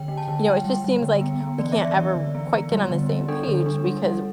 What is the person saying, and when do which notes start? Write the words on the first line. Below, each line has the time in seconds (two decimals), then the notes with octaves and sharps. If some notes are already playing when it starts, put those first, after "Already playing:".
you know, it just seems like we can't ever r quite get on the same page because w
Already playing: D3 G5
0.08 A3
0.18 A5
0.28 D3
0.46 G3 G5
0.65 G3
0.84 G3
1.02 D3
1.21 B3
1.41 B3
1.59 E3 D5
1.72 E5
1.78 E3
1.85 D5
1.97 E3
2.15 D3
2.35 B3
2.54 B3
2.72 G3
2.91 D3
3.10 G3
3.28 D4 A4
3.48 D3
3.66 D4
3.85 G3
4.04 G3